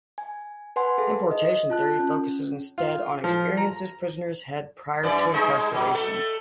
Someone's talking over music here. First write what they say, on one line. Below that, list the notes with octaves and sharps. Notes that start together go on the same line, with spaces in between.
Importation theory focuses instead on experiences prisoners had prior to incarceration.
G#5
B4 F#5 G#5 C6
G#4 A4 F5
D#5
F4 A5 F#6
C#4
F4
F3
A#5
F#2 E3 D5
G3 G#3 D#4
A#2 F#3
A3 A4